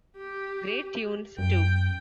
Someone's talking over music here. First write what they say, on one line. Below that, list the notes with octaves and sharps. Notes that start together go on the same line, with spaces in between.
Great tunes too.
G4
F#2 G5